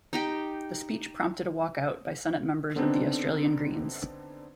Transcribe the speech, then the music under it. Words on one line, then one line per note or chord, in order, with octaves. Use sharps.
The speech prompted a walk out by Senate members of the Australian Greens.
D#4 G4 G5
D3 B3 C4 D4 D#4